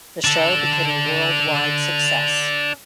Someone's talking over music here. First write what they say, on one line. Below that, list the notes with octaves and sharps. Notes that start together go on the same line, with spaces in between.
The show became a worldwide success.
D4 A4